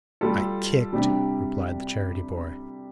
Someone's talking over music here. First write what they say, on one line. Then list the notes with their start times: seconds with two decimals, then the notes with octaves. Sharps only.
'I kicked,' replied the charity-boy.
0.21 G3 F4 A4
0.93 C3 G3 D4 G4